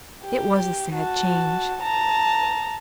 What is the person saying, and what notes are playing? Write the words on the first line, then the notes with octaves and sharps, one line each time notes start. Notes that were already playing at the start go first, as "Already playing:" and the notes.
It was a sad change.
G4
F#4 A5
A5 A#5